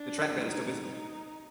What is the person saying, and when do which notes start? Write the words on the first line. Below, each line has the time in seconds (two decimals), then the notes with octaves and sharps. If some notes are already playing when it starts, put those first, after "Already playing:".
The trackbed is still visible.
Already playing: D4
0.48 D#4